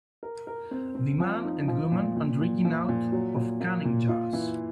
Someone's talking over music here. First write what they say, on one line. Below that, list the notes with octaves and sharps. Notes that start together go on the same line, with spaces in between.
The man and woman are drinking out of canning jars.
A#4
A#4
C4
C4
F3
D#4
F3
A#2
A#2
A#2
F3
A#2
F#3
A#2
A#3
A#2
F4
E3